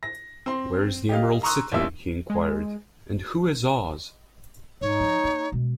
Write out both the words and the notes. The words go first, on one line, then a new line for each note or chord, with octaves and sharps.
Where is the Emerald City? he enquired; "and who is Oz?"
A#6
C4 C6
G4 D#5 F5
A#5 C6 C#6 D#6 E6 F#6
A1 A#2 G3 A#3 E5 E6
G#3
G#2 D#4 C#5
F3
A#3
B2 G#3